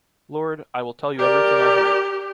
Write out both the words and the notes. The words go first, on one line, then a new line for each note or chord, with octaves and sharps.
Lord, I will tell you everything I heard.
G4 A#4 D5